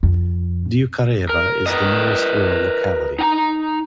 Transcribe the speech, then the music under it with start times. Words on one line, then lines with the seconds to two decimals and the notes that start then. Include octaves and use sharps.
Dyukareva is the nearest rural locality.
0.03 F2
1.29 A#4
1.66 A#4 B4 D#5
3.19 D#4 G5 A#5